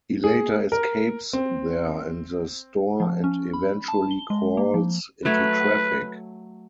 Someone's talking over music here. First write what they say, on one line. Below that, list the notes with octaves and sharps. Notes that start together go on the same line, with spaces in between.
He later escapes there and the store and eventually crawls into traffic.
G#4
A#4
C4
F3
C#4
B5
A5
G7
G#3
A#3
F3
F#3 A3 B4 C#5